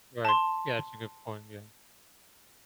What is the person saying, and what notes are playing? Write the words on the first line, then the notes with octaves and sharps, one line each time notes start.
Right. Yeah, that's a good point, yeah.
A5 C6